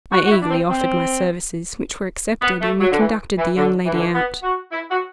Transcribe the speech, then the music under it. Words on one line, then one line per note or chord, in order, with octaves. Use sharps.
I eagerly offered my services, which were accepted, and we conducted the young lady out.
F#4
F#4
E4
D4
C4
C4
B3
A3
F#3
D3
E3
E3
D3
E3
D3
E3
B3
F#4
E4
F#4